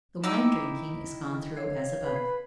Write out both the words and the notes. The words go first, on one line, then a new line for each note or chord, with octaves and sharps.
The wine-drinking is gone through as above.
D#4 E4 G5 D6 E6
C#5 F5
B4